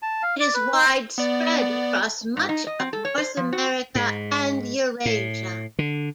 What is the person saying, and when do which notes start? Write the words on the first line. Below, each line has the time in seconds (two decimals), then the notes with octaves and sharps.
It is widespread across much of North America and Eurasia.
0.02 A5
0.23 F5
0.40 D5
0.54 B4
0.73 D#4
1.18 B3 D5
2.37 G#2
2.49 D#4
2.67 D#5
2.80 C4
2.93 A4
3.05 C#5
3.18 C5
3.37 F3
3.53 F#4
3.95 G#2
5.06 A2
5.79 D3